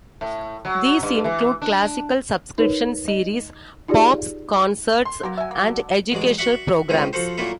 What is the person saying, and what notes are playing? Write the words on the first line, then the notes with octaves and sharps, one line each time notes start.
These include classical subscription series, pops concerts, and educational programs.
A2
F#3
G2
E3
D4
D#4 A#4 B4 C#5
D#5
D#4 F4 G4 G#4 D5
C6
F#3 A#3 G4 A#4
E5 G#5
A#3
D3
A1 F#3 G#3 D5
F#4 D5 E5 F#5
C#2 A2 C4 C#4
F3 F#4 A4 C5
A#2 F#3 A3 A#3 E4 A4